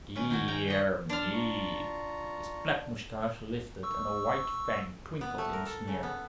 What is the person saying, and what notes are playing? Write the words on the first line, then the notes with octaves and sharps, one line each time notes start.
"Dear me!" His black moustache lifted and a white fang twinkled in a sneer.
D#3 C#4 B4
D#3 E4 F#4
G5 G#5 A#5
C#5 D#5 F#5 G5
D4 D5 A5 C6 F6
F4 A#5 C#6
C#6 E6
B3
A3
A#4
A4
C#3
B3